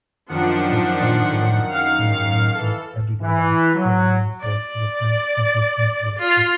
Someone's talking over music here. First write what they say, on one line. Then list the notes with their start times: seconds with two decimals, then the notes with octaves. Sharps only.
The current events and the nonsense of everyday life are the main sources of his inspiration.
0.29 F#2 D#3 F3 D4 F#5 C#7
1.73 F5
2.54 E3 A4
3.21 E3
3.74 F#3
4.41 D5
6.19 F4